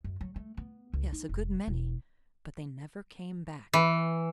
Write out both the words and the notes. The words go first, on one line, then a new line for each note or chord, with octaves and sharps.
Yes--a good many--but they never came back.
F#2
F#3
A3
B3
C#2
D#4
F1
E1
E3